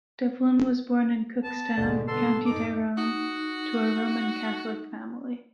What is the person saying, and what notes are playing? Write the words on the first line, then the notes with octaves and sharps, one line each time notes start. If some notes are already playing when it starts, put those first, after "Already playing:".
Devlin was born in Cookstown, County Tyrone, to a Roman Catholic family.
B3 A5
G#1 D#2 B2 D3 G#3
G2 D3 B3 A4 C6
F#2 A2 A#3 D#4 D6
D#4 F#4